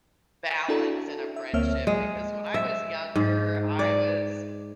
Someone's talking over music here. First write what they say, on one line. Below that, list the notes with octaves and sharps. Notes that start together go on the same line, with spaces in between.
balance in a friendship because when I was younger, I was
D4 E4 F#4 A4
E5
D2 A#3 C4 C#5 E5 F6
G#3
E5
G#2
D5